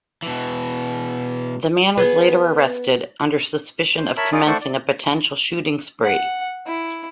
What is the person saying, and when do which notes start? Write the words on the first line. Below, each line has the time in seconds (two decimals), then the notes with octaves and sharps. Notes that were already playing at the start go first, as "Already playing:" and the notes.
The man was later arrested under suspicion of commencing a potential shooting spree.
0.22 B2 E3
1.97 B3 G#4
3.97 C5
4.17 A#4 C#5 E5 A5 B5
4.32 C#4 D#4 F4 G#4 D5
4.47 A3 A4 C5 D5 F#5 C#6
4.61 D5
6.05 F#5
6.67 E4